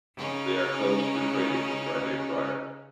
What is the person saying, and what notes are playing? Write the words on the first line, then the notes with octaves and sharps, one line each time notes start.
They are closed for trading the Friday prior.
C#3 C#4 D#4